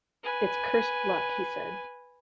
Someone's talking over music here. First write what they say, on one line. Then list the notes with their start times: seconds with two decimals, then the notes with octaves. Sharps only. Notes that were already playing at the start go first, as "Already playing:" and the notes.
"It's cursed luck," he said.
0.23 B4 G#5